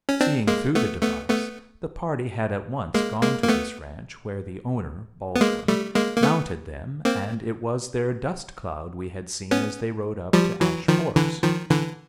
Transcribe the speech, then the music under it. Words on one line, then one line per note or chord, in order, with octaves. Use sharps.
Seeing through the device, the party had at once gone to this ranch, where the owner, Baldwin, mounted them, and it was their dust-cloud we had seen as they rode up to Ash Forks.
C#4
C4 D4
G#3 A#3
A3 B3
A3 B3
A3 B3
G#3 A#3
G#3 A#3
A#3
A3 B3
B3
G#3 A#3
G3 A3
G#3 A#3
A#3
A3 B3
A#3 C4
B3 C#4
F3 G3
E3 F#3
D#3 F3
D3 E3
D#3 F3
D3 E3